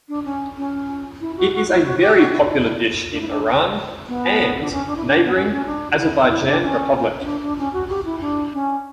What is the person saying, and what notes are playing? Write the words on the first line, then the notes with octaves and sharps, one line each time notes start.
It is a very popular dish in Iran and neighboring Azerbaijan Republic.
D4
C#4
C#4
E4
F#4
F#4
E4
F#4
G4
F#4
E4
D4
E4
D4
B3
D4
C#4
D4
E4
D4
B3
C#4
C#4
D4
F#4
E4
E4
D4
C#4
C#4
D4
D4
C#4
F#4
G4
E4
D4
C#4